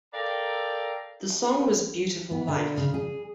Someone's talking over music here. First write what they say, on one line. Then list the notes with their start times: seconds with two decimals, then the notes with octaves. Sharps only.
The song was "Beautiful Life".
0.13 A4 A#4 D5 F5 G5 A#5
2.31 B3
2.48 D3
2.77 C#3
2.94 G#4